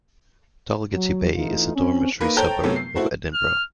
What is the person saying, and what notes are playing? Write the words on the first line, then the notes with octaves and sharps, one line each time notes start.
Dalgety Bay is a dormitory suburb of Edinburgh.
F#3
E3 A3 D#4 F4
C4 C#4
A#3 D#4 A#4 B4
A4 C5 C#5 G5 A#5 G6
F#2 C3 F#3 A3 B3 C#4
C7
A3 E4 F#4 C5
F6